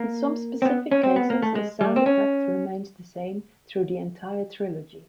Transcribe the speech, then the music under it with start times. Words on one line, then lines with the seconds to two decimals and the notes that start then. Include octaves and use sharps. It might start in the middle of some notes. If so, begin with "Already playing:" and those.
In some specific cases, a sound effect remains the same through the entire trilogy.
Already playing: A#3
0.62 C4
0.65 B3
0.91 C#4
1.03 C4
1.16 B3
1.30 A#3
1.42 A3
1.55 G#3
1.81 G3
1.96 C4
2.06 C#4